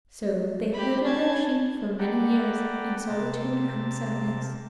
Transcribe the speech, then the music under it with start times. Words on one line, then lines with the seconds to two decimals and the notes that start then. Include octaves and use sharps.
So they herded their sheep for many years in solitude and sadness.
0.73 G4 B5
1.05 C#4 A5 G#6
1.99 A4 B4 D5 F#5 G5 A#5
3.10 C3 A#3 A5